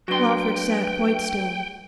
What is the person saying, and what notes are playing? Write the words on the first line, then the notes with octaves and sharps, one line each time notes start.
Lawford sat quite still.
F#3 D4 F#4 B4 G5 C6